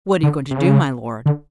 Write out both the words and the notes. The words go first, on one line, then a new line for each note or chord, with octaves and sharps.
"What are you going to do, my lord?"
D3
C3
C#3
D3